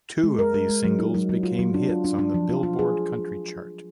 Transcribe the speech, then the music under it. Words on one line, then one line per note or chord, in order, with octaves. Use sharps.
Two of these singles became hits on the "Billboard" country chart.
G#3
A#4
A#4
G#3
F#3
D#4
F#3
F#3
F4
F#3
D4
F4
D4
D4
F3
F4
F4
G#4